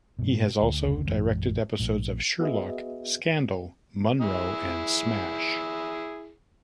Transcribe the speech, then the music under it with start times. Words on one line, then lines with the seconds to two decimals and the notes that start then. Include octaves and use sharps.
He has also directed episodes of "Sherlock", "Scandal", "Monroe" and "Smash".
0.19 G2 B2
0.62 D2
0.84 F1 D2 A#2 C#3
1.07 A#1 F#2 E3 G#3
1.80 A#1 A2
2.40 B3 F#4 G#4 B4 D#5 E5
4.21 E4 G#4